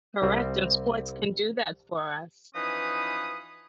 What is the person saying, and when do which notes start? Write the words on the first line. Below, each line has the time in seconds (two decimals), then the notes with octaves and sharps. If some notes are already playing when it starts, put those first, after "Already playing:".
Correct, and sports can do that for us.
0.22 C2 G3 C4
2.55 E3 F3 C#4 D#4 B4 D#6